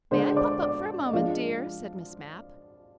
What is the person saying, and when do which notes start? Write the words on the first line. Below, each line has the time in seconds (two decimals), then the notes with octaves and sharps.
"May I pop up for a moment, dear?" said Miss Mapp.
0.11 D3 G#3 D4 C5 C6
0.36 D5 D6
0.62 D5 D6
1.07 D#5
1.13 F3 G#3 D4 F4 F5